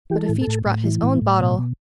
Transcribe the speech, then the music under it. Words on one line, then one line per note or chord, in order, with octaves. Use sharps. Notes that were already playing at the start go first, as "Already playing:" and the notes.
But if each brought his own bottle . . .
E3 G4
A4
A2
A4
A2
A2
E3
A2
A2
B2
B2